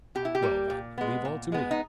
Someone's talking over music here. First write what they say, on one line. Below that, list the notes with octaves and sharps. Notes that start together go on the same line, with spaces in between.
"Well then, leave all to me!"
B2 G4
E4
G4
G3 A#3
A#2
G#3 B3
A#2
G#3 B3
D#4